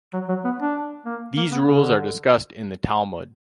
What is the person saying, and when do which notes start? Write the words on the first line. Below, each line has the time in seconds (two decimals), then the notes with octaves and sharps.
These rules are discussed in the Talmud.
0.14 F#3
0.29 F#3
0.45 B3
0.60 D4
1.06 A#3
1.37 A#3
1.52 B3
1.67 C#3
1.81 D3